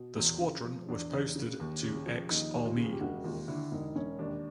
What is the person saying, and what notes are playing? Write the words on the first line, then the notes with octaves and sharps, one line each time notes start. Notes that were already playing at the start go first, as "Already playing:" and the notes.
The squadron was posted to "X Armee".
Already playing: B2
E2
C#3
F3
E2 D4
E2
C#3
D#2
C#3
F3
D#2 D#4
D#2
F4
C#3
G#4
G4
E1 F#4
D#2 F4
D3 E4
E1 D#4
E1 C#4
D#2 D4